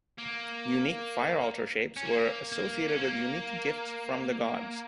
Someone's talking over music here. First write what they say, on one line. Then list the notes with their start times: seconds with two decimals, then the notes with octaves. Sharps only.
Unique fire-altar shapes were associated with unique gifts from the Gods.
0.19 A#3
1.97 C#4
2.05 A#3
2.52 A#3
2.88 C#4
2.99 A#3